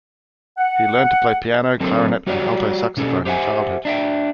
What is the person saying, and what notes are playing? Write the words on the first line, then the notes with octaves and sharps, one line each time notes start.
He learned to play piano, clarinet and alto saxophone in childhood.
F#5
D3 F#3 C4 A4 A#4
G3 F#4 G4 C#5 D5
B2 C#4 G4 A4
G4 C5 E5 F#5 G#5
D4 E5 G5